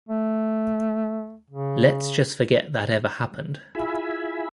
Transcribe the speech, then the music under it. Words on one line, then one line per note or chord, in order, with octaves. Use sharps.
Let's just forget that ever happened.
A3
C#3
E4 F4 G#4 E5 G#5 B5